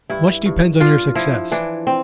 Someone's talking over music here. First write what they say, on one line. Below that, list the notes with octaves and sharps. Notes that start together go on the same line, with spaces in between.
Much depends on your success.
G2 E4
G2
D4 F4
F3 E4
E3 D4
C4